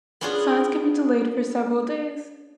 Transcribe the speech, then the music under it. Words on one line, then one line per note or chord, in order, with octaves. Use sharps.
Signs can be delayed for several days.
B3 C#4 D4 F4 G#4